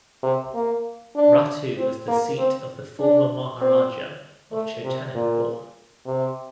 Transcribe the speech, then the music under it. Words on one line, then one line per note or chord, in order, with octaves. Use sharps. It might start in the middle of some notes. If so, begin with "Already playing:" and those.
Ratu was the seat of the former Maharaja of Chotanagpur.
C3
A#3
D4
C4
A#3
C4
D4
C4
A3
C3
A#2
C3